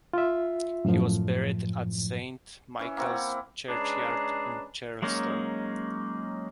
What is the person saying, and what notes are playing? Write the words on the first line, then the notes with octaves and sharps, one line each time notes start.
He was buried at Saint Michael's Churchyard in Charleston.
F4 E5
F#2 A2 F3
E3 C#4
A#3 C4 E4 F#5
G#3 C#4 D4 G#4 B4 A#5
F#3 G#3 A#3 C#4 D#4